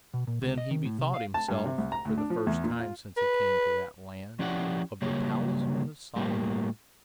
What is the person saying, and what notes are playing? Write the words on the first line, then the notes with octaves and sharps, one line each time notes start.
Then he bethought himself, for the first time since he came to that land, of the Talisman of Solomon.
B2
A#2
C#2
D#5
D#3
A2
C3
F5
A5
G2
C3
C2
A#5
D2
D4
F3
E2
A#2
F4
B4
F3 C#4 E4 G4 D5 F#5
C#3 F#3 G3 A#3 C#5
A2 G3 A#3